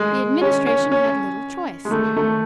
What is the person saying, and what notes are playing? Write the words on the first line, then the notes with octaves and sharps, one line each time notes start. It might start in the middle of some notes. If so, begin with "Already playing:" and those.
The Administration had little choice.
Already playing: G#3
C#4
C#4
C#4
G#3
A3
A3